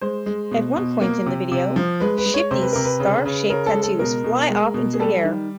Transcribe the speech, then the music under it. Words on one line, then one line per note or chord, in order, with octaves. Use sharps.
At one point in the video, Shifty's star-shaped tattoos fly off into the air.
G#3 C5
G#3
B2
B2
A#3
C3
C3
F3
G#3 B4
B4
G#3
C#5
C3 C5
B4
C3 A#4
B4
C#3
C#3
C#3 A#4
A4
G#3
A4
B2 A#4
B2
G#3
B2
G#4
G3 A4
D#3